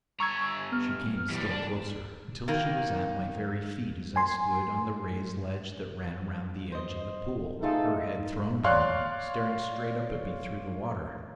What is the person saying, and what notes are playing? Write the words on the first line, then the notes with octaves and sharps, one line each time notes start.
She came still closer, until she was at my very feet as I stood on the raised ledge that ran around the edge of the pool, her head thrown back, staring straight up at me through the water.
G2 A#5 C#6 E6 G#6
B3 F6
E3 G3
D4
D#3 A#3
G#5 C6
C5 D#5
E3 A3 D#4 F4 G#4 A4
C#5 D5 F5 C6 F#6